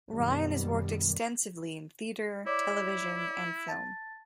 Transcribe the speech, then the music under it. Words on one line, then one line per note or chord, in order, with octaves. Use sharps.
Ryan has worked extensively in theatre, television and film.
F#2 B2 D#3 G3
E4 C#5 D5 D6
A5 A6